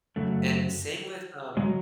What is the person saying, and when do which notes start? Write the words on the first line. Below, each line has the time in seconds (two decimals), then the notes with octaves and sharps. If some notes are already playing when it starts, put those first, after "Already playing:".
And same with, um,
0.16 F#2 C#3 F#3 A3
1.57 C#3 F#3 G#3